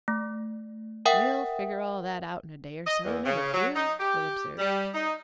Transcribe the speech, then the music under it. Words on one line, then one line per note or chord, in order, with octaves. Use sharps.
"We'll figure all that out in a day or so, never fear," Will observed.
A3
A#4 E5 F#5 G5 D#6
D#5
E2
C#3
F#3
D#4
G4
G3
D#4